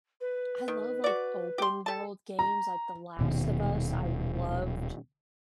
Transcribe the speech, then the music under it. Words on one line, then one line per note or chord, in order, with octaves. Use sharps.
I love, like, open-world games, like, The Last of Us, I loved
B4
D#3
F#4 D5
G4 C6
G3 A4 A5
A#5
D#1 B2 D#3